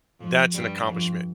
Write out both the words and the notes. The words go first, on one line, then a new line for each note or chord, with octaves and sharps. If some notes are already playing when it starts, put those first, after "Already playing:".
That's an accomplishment,
F2 F3
G2 G3
F2 F3